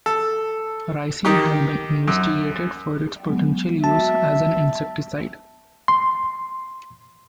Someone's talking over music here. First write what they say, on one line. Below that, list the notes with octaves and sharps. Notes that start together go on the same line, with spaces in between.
Ricin has been investigated for its potential use as an insecticide.
A4
D#3 D#4 G4
F#2
F#3 G#3 B3
F#4 E5 A5
C6